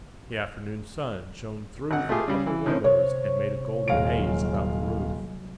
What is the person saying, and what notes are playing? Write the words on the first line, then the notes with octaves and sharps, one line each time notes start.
The afternoon sun shone through the upper windows and made a golden haze about the roof.
G#1 F#5
A3 F4 G4 G#4
C#3 G3
E3
A2 D#3 C4 C#4
C3 C#5
D#1 F#3 G#3 F5 D7